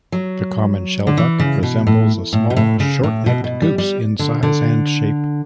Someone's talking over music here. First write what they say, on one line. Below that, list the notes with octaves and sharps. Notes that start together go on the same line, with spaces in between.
The common shelduck resembles a small short-necked goose in size and shape.
F#3
D3
E3
C#3
B2
A2
A2
B2
A2
C#3
A2
B2
B2
G3
G3
D3
D3